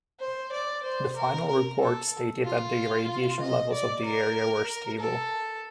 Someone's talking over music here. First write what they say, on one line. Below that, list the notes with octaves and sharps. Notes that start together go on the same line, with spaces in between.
The final report stated that the radiation levels of the area were stable.
C5
D5
C5
A#4
A#4
A4
F4
D#5
D5
A#4
A4